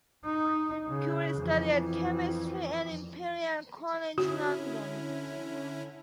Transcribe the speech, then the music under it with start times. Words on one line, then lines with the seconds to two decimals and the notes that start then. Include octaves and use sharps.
Curry studied chemistry at Imperial College, London.
0.25 D#4
0.88 C#3
1.37 F2 E3
4.18 D3 C#4 E4 F#4